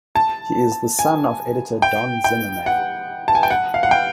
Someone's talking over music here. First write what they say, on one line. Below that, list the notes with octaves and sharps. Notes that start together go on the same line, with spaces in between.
He is the son of editor Don Zimmerman.
A5
G#5
G5
G5
F#5
A5
G#5
G5
F#5
F5
F#5
G5